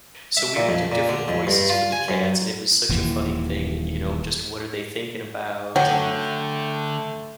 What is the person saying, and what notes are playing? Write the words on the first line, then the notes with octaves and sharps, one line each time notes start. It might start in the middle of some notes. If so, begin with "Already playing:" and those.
So, we would do different voices for the cats, and it was such a funny thing, you you know, just what are they thinking about, and
E5
A#2
F2
A#2
D3
F2
G2
F4
G#5
F#2
D#1 D#2 E3
D3 F#3 A3 G5